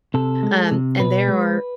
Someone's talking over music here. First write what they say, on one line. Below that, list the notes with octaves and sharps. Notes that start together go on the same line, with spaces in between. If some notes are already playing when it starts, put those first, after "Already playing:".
um, and there are
C3 A4
G#3
C3
B2 B4
G#3